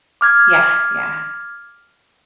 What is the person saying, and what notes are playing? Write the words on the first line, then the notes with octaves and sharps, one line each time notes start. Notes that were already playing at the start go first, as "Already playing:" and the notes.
Yeah, yeah.
D6 F6 G#6